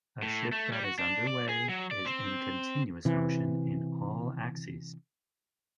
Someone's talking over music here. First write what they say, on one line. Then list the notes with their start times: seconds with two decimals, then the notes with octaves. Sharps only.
A ship that is underway is in continuous motion in all axes.
0.22 A2
0.52 A3
0.72 G3
0.84 F#4
0.99 D4
1.27 D5
1.49 G#4
1.69 F#3
1.91 D5
2.06 C4
3.05 C3 E3